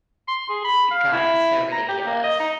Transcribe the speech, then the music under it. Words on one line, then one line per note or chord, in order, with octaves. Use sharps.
I gotten so ridiculous.
C6
G#4
B5
F5
E4
A#5
G4
A#3
D#5
D#4